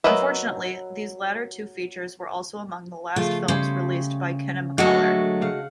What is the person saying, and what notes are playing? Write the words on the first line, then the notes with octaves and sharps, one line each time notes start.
Unfortunately, these latter two features were also among the last films released by Kinemacolor.
F#3 A#4 B4 D#5 E5
C#3 F3 A3 F4
C#3 G3 C5 C#5
D3 F#3 G#3 A3 F#4 A4
C#3 F5 F#5